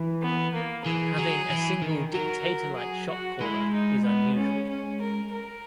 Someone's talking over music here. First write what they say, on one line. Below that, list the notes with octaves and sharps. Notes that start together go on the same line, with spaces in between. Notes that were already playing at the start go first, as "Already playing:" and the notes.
Having a single dictator-like shot caller is unusual.
Already playing: E3
B3
A#3
E3 G#4
F#3
E3
D#3
F#3 A#4
G#4
F#4
G#3 E4
D#4
B3
C#4
C#4
A#4
A#4